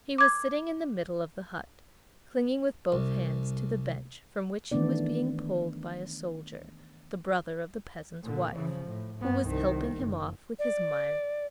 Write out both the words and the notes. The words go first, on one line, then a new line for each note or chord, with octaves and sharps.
He was sitting in the middle of the hut, clinging with both hands to the bench from which he was being pulled by a soldier, the brother of the peasant's wife, who was helping him off with his miry boots.
D6 G#6
C2
D#3 E3 A3 B3 D4 D5
A#2 D3
C#3 F3
A2
G2 B3
C2 D#3
F#1
D5